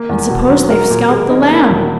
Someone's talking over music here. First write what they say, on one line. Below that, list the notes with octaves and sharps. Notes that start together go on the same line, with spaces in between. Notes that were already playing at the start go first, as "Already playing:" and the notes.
And suppose they scalped the Lamb!'
Already playing: A#3
E2
B2
F#3
A#4
A#2
G#3
D#4
A#3
E1